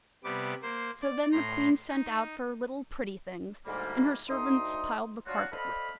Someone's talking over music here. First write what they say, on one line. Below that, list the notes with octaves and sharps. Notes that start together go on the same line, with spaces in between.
So then the queen sent out for little pretty things, and her servants piled the carpet with them.
C3 G3 B3 D6
A#3 C5
D5
A2 A#5 C6
D#4
D2 G#2 G3 A#3
D2 D#4 C6 D#6
F#3 D4 F4 F#4
A4 C5 D5 D#5 F5 B5